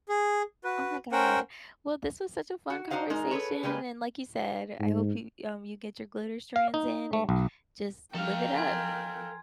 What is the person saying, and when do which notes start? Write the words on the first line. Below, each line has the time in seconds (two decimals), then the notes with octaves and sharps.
Oh, my god. Well, this was such a fun conversation, and like you said, I hope you um, you get your glitter strands in and just live it up.
0.09 G#4
0.64 F#4 B4
1.12 C#4 A#4 C5 F#5 G5
2.70 F#4
2.90 D4 D#4 F#4 C5 F5 F#5
3.10 G#3 D#4 A#4
3.31 G#4 A4 B4 C#5
3.63 C#3 G3 G#3 A#3 B4
4.80 G#2
6.56 F5
6.74 D#4
7.13 A3
7.29 B1
8.15 F3 A4 A#4 F5 G5
8.56 G#5 C6 G#6